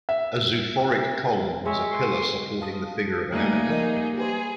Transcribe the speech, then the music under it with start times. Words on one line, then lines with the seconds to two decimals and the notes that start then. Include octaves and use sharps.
A zoophoric column is a pillar supporting the figure of an animal.
0.09 E5
1.66 G#3 C#5 E5
1.91 C6 C#6
2.61 F5 A5 D#6
3.32 G3 A3 A#3 D#4 G#4
3.69 F3 A#4 D#5
4.18 G4 G#4 B4 C5